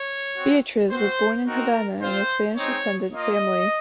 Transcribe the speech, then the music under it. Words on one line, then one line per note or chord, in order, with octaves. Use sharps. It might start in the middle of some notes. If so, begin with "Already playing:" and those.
Beatriz was born in Havana in a Spanish-descendent family.
Already playing: C#5
C4 F#4
C4 F#4 C5
C4 D#4 F#4 A#4
C4 F4 C5
G#3 C4 D#4 C#5
A#3 F4 D#5